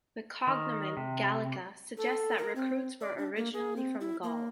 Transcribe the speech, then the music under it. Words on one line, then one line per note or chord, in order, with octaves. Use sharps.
The cognomen "Gallica" suggests that recruits were originally from Gaul.
D#3
C3
A4
A#4
C4
D5
D4
A#3
G#4
C4
E4
A#3